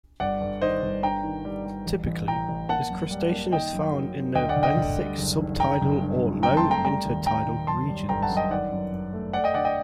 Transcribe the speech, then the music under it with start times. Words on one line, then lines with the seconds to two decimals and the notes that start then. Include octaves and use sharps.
Typically, this crustacean is found in the benthic sub-tidal or low inter-tidal regions.
0.20 G1 D5 F#5
0.41 G1
0.62 D#3 C5 D#5
0.82 G1
1.03 G2 G5 A#5
1.24 D#3
1.45 G3
1.65 G3
1.86 A1
2.07 A1
2.28 A2 G5 A#5
2.49 A1
2.69 A#3 F#5 A5
2.90 F#2
3.11 G3
3.32 A#3
3.52 D#3 D#5 G5
3.73 F#2
3.94 F#3
4.15 F#2
4.35 D2 D#5 G5
4.49 D5 F#5
4.56 D2
4.63 D#5 G5
4.77 D2
4.98 G3
5.18 F#1
5.39 D#3
5.60 F#1 G5 A#5
5.81 F#1
6.01 G2
6.22 G2
6.43 C4 G5 A#5
6.57 A5 C6
6.64 A3
6.71 G5 A#5
6.85 G3 G5 A#5
7.05 D#2
7.26 D#2 G5 A#5
7.47 D#2
7.67 F#2 A5 C6
7.89 G3
8.09 G1 G5 A#5
8.23 F#5 A5
8.30 F#2
8.37 D#5 G5
8.51 D#3 D5 F#5
8.72 F#2
8.92 F#2
9.13 A3
9.33 A3 D5 F#5
9.44 D#5 G5
9.54 D3 D5 F#5
9.65 D#5 G5